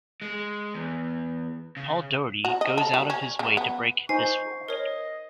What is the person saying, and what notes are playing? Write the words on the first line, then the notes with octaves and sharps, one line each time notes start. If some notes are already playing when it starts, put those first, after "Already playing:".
Paul Doherty goes out of his way to break this rule.
G#3
E2
C#3
F#4
D#5
A4
G3
C#4
C#3
B3
D#4 C5 G#5 C#6 C7
A#4 C#5 D#5